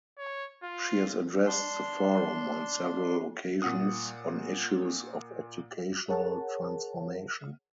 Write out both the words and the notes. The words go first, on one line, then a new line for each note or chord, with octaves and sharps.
She has addressed the Forum on several occasions on issues of educational transformation.
C#5
F4
D4 C6
A#2 F#5 D#6
G#4 A#4 C#5 F#5 A5